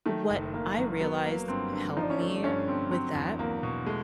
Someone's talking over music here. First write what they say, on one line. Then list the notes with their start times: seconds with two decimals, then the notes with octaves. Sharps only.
What I realized helped me with that
0.06 D#3 A3
0.30 F#1
0.53 F#1 A#3
0.77 F#2
1.00 F#3 B3
1.25 A#3
1.48 G2 C4
1.73 D3
1.97 F3 D#4
2.03 D4
2.10 C#4
2.17 A3 D4
2.44 G2 C#4
2.68 D3 C4
2.91 F#3 C4
3.15 E2
3.39 E2 A#3
3.63 B2
3.86 G#3 A3